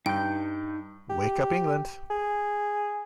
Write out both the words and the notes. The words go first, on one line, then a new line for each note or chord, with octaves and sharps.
Wake up England!
G2 D#4 G5 G6
G4
G#4